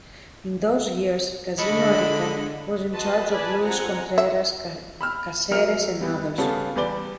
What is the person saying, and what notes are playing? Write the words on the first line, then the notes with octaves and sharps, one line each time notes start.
In those years, Casino Arica was in charge of Luis Contreras Cáceres and others.
D3 G#3 A4 D#5 B5
F#4 B4 D#5 A5 C6
B4 D5 D#5 G#5 A5 B5
C4 F4 F#5 G#5 A#5
E5
B5 E6 F6
F#3 A#4 E5 F6 F7
G3 B3
C#3 G3 B3 C#4 F4 A4
E2 G3 B4 D5 G7